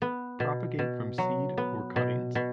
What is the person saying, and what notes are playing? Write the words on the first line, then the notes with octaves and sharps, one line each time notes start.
Propagate from seed or cuttings.
B3
B2
B2
F#3
B3
B2
B2